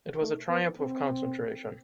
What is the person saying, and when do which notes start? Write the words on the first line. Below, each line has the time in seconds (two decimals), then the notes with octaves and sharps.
It was a triumph of concentration.
0.21 A3
0.49 B3
0.79 C4